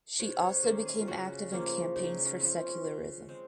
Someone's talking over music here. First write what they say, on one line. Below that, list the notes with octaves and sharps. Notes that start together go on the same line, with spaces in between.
She also became active in campaigns for secularism.
C3 C#5
C#5
D#3 A#3 C#4 C5
G#4
F4
C#3 F#4
F3 A#3 C#4
C#3 D#4
C#4
F3 C4
C#4
C#3
G#3 C4